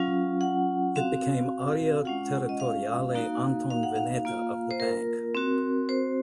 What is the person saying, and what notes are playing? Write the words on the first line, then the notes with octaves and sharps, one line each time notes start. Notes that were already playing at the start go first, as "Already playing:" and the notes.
It became Area Territoriale Antonveneta of the bank.
Already playing: F#3 C#4 F4 F5
F#5
C4 F#4 F5
G#3 C#4 F4 F#5
D#5
F5
A#3 D#4 F#4
F5
F#5
F5
A#3 F4
C5
A#4
C4 F#4
C5